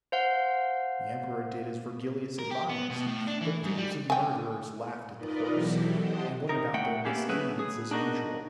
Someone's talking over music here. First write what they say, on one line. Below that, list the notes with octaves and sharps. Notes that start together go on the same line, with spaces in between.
The emperor did as Virgilius advised, but thieves and murderers laughed at the horse, and went about their misdeeds as usual.
C5 F5 F#5
A#4
G4
B3
B2
A2
D4
E3
G#2
G3
G5 G#5
D#4 F4 A#4 B4 D5 D#5
B2 E3 F#3 E4 G4 A4
G4 C5 D#5 F#5 G5 A5
C3 D#4 A#4
A2 A3 F#5 G5
A#3 B3 C#4 E4 G4 G#4
F#3 A3 E4 G#4 B4
G#4
D4 D#4 F#4 A#4 D#5